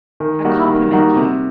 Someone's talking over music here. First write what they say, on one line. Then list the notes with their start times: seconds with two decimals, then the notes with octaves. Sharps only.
I compliment you!
0.20 D#3
0.44 G3 A#3 D#4 F#4
0.68 D#3
0.92 G3 A#3 D#4 F#4
1.16 C3